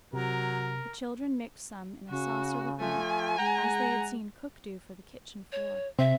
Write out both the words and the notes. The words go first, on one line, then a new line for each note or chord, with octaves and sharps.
The children mixed some in a saucer with milk, as they had seen cook do for the kitchen floor.
C3 F#3 A#4
C#3 F#4
F3 A3 G#5
G#3 F#5 A#5
C#5
C3 C4 E5